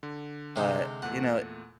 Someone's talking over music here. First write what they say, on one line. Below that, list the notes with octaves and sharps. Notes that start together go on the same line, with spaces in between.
But, you know,
D3
C3 G#3 D#4
E2 A#2 A3 F#5